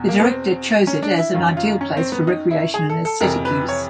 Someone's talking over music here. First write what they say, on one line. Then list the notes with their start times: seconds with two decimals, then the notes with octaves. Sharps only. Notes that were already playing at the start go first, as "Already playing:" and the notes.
The director chose it as an ideal place for recreation and aesthetic use.
Already playing: E2 B2
0.08 A#3
0.20 B3
0.25 C4
0.87 C#4
1.03 D4
1.18 E4
1.33 F#2 D#3 F4
1.57 F4
1.81 C#4
1.97 C4
2.12 B3
2.27 D#4
2.51 E4
2.74 G#4
2.90 A4
3.05 A4
3.21 F2 C3 E3 A#4
3.45 B4
3.69 C#5